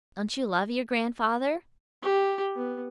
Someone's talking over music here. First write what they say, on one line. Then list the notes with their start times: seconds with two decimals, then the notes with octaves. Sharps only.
"Don't you love your grandfather?"
2.02 G4
2.56 B3